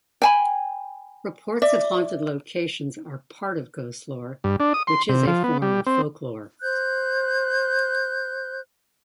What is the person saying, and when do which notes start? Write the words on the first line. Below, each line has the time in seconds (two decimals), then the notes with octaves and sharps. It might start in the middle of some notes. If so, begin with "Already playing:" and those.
Reports of haunted locations are part of ghostlore, which is a form of folklore.
0.22 G5 G#5 B5
1.62 D5 E5
4.44 G2
4.60 D4
4.74 D#6
4.87 C6
5.09 C3
5.27 F3
5.44 B3
5.62 G3
5.87 C4
6.61 C5 F#6 G6